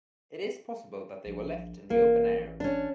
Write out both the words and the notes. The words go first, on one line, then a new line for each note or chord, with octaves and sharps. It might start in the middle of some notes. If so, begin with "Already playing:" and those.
It is possible that they were left in the open air.
A#1
A1 A#3
C#4 D4